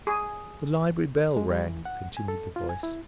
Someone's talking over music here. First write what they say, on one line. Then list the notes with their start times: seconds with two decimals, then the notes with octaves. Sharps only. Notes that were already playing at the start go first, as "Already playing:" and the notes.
"The library bell rang," continued the voice.
0.07 G#4
1.36 G#3
1.50 G3
1.66 E3
1.85 F#5
2.17 G#5
2.28 A4
2.56 F4
2.69 G#5
2.83 E4